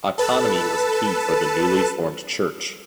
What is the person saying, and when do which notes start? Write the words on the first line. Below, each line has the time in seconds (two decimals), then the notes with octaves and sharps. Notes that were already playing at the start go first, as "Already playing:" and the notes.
Autonomy was key for the newly formed church.
0.18 A4 B4 A5